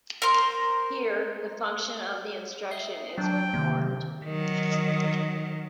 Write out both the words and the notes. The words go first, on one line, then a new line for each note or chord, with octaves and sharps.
Here, the function of the instruction is performed.
A#4 C5
D#5 E5 C7
F#3 D4 G5
C3 D#3 A#3
D#3 F#3